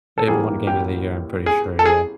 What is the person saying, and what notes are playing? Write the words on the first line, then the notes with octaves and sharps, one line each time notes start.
It won Game of the Year, I'm pretty sure, yeah.
A4
A1 A2 E3 G3 A#3 G#4
G4
G#4
A4
G#4